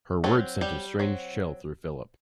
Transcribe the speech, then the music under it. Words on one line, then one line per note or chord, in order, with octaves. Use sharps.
Her words sent a strange chill through Philip.
F#3 A3 C4 A4
G3 G4
F#3 C4